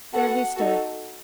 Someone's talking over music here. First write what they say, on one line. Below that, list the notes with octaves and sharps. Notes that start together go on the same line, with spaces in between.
There he stood.
B3 F#4 A4 F#5
D#4 F#4 A4